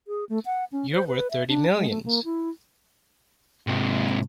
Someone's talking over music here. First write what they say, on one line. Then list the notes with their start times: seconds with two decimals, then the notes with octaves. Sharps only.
You're worth thirty millions!
0.08 G#4
0.29 A3
0.46 F#5
0.72 C#4
0.92 C5
1.07 B4
1.31 E5
1.48 D4
1.73 G#3
1.90 A3
2.05 A#3
2.25 E4
3.67 G#2 C3